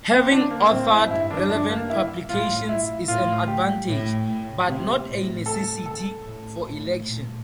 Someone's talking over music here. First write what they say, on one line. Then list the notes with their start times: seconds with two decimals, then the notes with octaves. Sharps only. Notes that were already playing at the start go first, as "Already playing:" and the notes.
Having authored relevant publications is an advantage, but not a necessity, for election.
0.11 C4
0.31 D4
0.50 A#3
0.70 A2 C4
0.91 E4
1.10 G2 E4
1.31 D4
1.50 G2 D4
1.69 A#3
1.90 E4
2.29 A2 F4
2.69 E4
3.08 A2 F4
3.48 G4
3.88 A2
4.28 A2
4.67 C3
5.07 A2
5.46 A4
5.86 A4
6.25 A2
6.65 A2
7.04 A#2